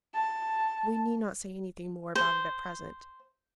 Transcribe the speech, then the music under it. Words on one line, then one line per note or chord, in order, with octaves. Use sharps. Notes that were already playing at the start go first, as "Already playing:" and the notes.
We need not say anything more about it at present.
A5
C5